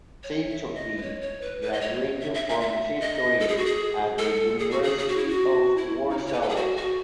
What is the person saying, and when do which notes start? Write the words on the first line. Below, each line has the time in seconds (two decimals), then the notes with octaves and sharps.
Cichocki graduated from history at the University of Warsaw.
0.23 C#5
0.50 E5
0.75 D#5
0.97 B4
1.02 C#5
1.21 C#5
1.42 B4
1.62 B4
1.73 D#5
1.81 C#5
2.20 E5
2.34 E5
2.49 E5
2.61 E5
3.00 D#5
3.40 A4
3.48 G#4
3.57 F#4
3.66 G#4
4.18 A4
4.59 G#4
4.71 F#4
4.83 G#4
4.98 G#4
5.08 F#4
5.17 E4
5.29 F#4
5.77 E4
6.10 D#4
6.18 E4
6.26 C#5
6.33 B4
6.42 A4
6.49 G#4
6.56 F#4
6.77 F#4